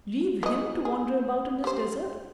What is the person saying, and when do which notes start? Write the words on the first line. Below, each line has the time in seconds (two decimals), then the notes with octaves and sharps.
Leave him to wander about in this desert!
0.43 E3 D#5
0.85 G#4
1.64 G3 C5